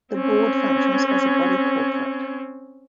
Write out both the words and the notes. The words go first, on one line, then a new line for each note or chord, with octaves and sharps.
The board functions as a body corporate.
C4 C#4